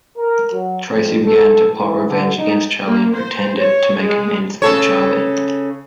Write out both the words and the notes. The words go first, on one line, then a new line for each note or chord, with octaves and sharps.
Tracy began to plot revenge against Charlie and pretended to make amends with Charlie.
A#4
F#3
F2
A4
E3
D3
D#4
A#3
C5
C#5
G#3
C#3 A4 C#5